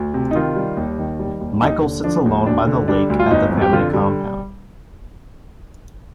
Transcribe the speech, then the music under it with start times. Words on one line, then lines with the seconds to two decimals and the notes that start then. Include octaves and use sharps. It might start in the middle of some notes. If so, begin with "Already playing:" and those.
Michael sits alone by the lake at the family compound.
Already playing: D2
0.14 C3
0.31 D#4
0.35 D#3 F4
0.56 G3
0.77 D#2
0.99 D#3
1.19 G3
1.41 D#2
1.62 D#2 D#4
1.82 D3
2.04 F3 D4
2.26 D#2
2.46 D2 D4
2.67 D3
2.88 G3 D4
3.10 D2
3.19 F4
3.31 G1 D#4
3.51 F2
3.62 G4
3.73 D3 F4
3.94 G3